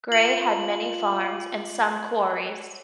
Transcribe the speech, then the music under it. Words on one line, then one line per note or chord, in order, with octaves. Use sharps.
Gray had many farms and some quarries.
F4 F#7